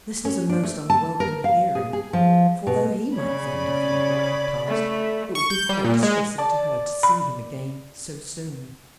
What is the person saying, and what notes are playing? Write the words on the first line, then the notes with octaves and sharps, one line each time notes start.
This was a most unwelcome hearing, for though he might think nothing of what had passed, it would be quite distressing to her to see him again so soon.
C#4
D4
A3
A5
A#4
F5
G#4
G#4
F3
B2
C#3 C#5 D5 B5
A3
C#6
G6
G3
A#2
G#3
D5 A5
B5